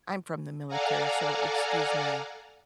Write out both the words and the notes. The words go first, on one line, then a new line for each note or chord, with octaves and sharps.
I'm from the military, so excuse me,
A4 D5 F5 F#5 G#5 A#5